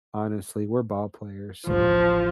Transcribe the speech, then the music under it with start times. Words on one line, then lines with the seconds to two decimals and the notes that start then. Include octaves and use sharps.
honestly, we're ball players, so,
1.67 A1 D2 F3